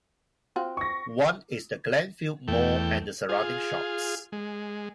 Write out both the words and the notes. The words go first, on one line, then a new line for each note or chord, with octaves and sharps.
One is the Glenfield Mall and the surrounding shops.
C4 F4 F#4
C#6 A#6
E2 A3 G5
F4 G#4
G#3